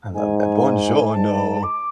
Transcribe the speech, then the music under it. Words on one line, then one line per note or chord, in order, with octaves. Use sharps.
I love that. Buongiorno.
G#2 G#5
G#5
G#2 A5
D6